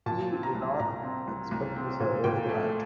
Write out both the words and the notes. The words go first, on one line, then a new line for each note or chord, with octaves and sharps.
He did not expect to survive the night.
A#2 A5
C4
A#5
C2
A#2 A#5
C4
C2
C2
C4
A#2
A#2 G5
A3